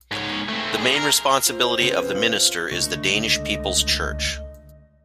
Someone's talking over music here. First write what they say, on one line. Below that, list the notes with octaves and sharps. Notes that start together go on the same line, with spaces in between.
The main responsibility of the minister is the Danish People's Church.
G#2 C#5
A3 C4
D3 G#4
A#4
F4 C5
C#3 B3 C4 B4
F4 F#7
C#2 D3 A3 D#5 C#6